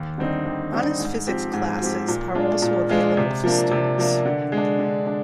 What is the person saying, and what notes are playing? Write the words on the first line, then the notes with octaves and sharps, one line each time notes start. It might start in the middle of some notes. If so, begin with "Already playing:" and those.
Honors Physics classes are also available for students.
Already playing: D#2
D3 G3 C4 D#4
D#2
D3 G3 C4 D#4
G#2
F3 C4 G4
G#2
F3 C4 G4
A#2
G#3 D4 F4
A#2
G#3 D4 F4
C3
F3 A#3 D4
C3
F3 A#3 D4
D3
G#3
D4
D3
D4